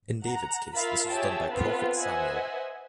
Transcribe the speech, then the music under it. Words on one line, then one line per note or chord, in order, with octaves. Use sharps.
In David's case, this was done by the prophet Samuel.
F#5 A#5
F4 A#4 E5 F5 B5
G4 G#4 C#5 E5 G5 A5
B3 C4 F4 A4 B4
B4 C5 D#5 E5 F#5 G#5